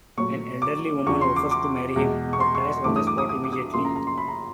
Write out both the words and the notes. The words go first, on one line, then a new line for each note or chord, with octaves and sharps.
An elderly woman offers to marry him, but dies on the spot immediately.
A#2 F#3 A3 C#6
D6
E2 C#3 F3 C#6
C6
D6
D6
E2 B2 G#3
C#6
C6
C#6
G2 E3 A3 D6
D#6
D6
D#6
D#6
D6
D#6
D6
F#2 C#3 F3 A#3 C6
A#5
A#5
C6
B5
A#5